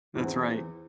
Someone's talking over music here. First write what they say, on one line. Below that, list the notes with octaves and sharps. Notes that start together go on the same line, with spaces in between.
That's right.
E2 E3 C4